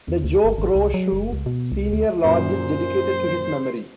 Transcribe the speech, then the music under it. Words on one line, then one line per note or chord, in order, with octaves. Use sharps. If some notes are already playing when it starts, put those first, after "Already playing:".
The Joe Crow Shoe Senior Lodge is dedicated to his memory.
E2
D2
G1
G#1
C2
F#3
F#1
C#2
B2
C2
D2
F#2 A#2 C5